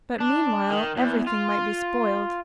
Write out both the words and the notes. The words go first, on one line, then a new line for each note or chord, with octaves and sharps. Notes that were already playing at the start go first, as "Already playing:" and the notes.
But meanwhile everything might be spoiled.
D4
D#3
E2
F4